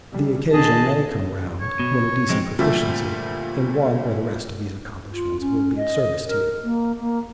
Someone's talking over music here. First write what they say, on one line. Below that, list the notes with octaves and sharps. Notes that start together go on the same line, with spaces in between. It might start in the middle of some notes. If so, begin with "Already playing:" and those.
The occasion may come round, when a decent proficiency in one or the rest of these accomplishments will be of service to you.
C2 G3 G#4
E2 G#4 D#5 A5
C#5
B2
F2 G#3 C4
A#2 D3 F3 G3 A3
F4
C#4
D#5
A#4
A#3
A#3